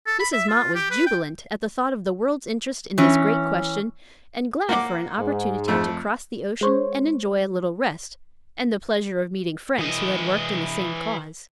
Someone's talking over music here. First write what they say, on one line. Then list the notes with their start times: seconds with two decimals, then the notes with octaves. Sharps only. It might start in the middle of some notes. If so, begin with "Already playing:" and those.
Mrs. Mott was jubilant at the thought of the world's interest in this great question, and glad for an opportunity to cross the ocean and enjoy a little rest, and the pleasure of meeting friends who had worked in the same cause.
0.07 A4
0.20 B5
0.33 E5
0.48 F4
0.75 G4
0.91 B4
1.06 G5
2.98 E3 C#4
4.69 A#3 F#5 D6
5.19 G#2
5.68 F2 A3
6.61 G#3 C5 C#5
9.79 E3 D#5